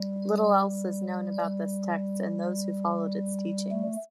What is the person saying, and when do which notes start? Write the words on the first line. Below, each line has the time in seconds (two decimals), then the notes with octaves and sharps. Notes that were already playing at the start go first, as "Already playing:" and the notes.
Little else is known about this text and those who followed its teachings.
Already playing: G3
1.41 G3
3.71 A3